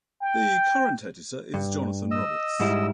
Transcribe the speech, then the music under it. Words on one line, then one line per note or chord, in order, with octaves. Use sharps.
The current editor is Jonathan Roberts.
G5
G2
D#5 E6
G#2 G3 E4